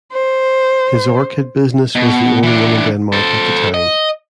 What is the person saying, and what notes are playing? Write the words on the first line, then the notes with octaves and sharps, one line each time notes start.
His orchid business was the only one in Denmark at the time.
C5
B2
E3 D4
A4 C5
D#5